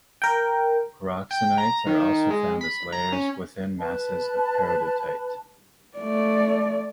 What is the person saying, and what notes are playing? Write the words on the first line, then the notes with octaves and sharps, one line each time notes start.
Pyroxenites are also found as layers within masses of peridotite.
A#4 G5
G5
A#5
D#3
D#3
G#3
B5
A#5
C#4
B4 A5 B5
A3 D5